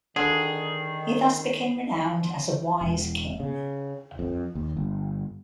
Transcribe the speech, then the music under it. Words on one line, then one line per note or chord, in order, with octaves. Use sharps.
He thus became renowned as a wise king.
D3 D#3 G#4
E1
C#3
F2
D#2
G1